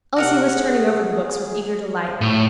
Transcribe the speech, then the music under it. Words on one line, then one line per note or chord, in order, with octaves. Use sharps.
Elsie was turning over the books with eager delight.
C3 F#4 A#4 F#5
G#4
A2